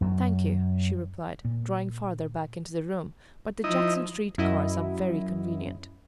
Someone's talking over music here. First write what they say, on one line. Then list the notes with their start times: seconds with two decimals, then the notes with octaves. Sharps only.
"Thank you," she replied, drawing farther back into the room; "but the Jackson Street cars are very convenient."
0.01 F#2 F#3
1.45 A#2
3.64 F3 D#4 E4 D#5
4.38 F#2 E4 D#5